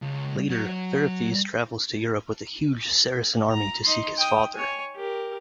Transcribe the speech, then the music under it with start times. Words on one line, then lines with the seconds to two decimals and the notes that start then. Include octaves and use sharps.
Later, Feirefiz travels to Europe with a huge Saracen army to seek his father.
0.02 C#2
0.50 F#3
3.52 A#5
3.84 D#4 C6
4.18 G5 D#6
4.54 C#5 G#5
4.96 G4 A#4